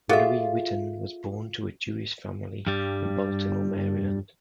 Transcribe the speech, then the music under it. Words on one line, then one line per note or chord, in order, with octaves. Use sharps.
Louis Witten was born to a Jewish family in Baltimore, Maryland.
F4 F#4 G#4 A4 E5
G2 G3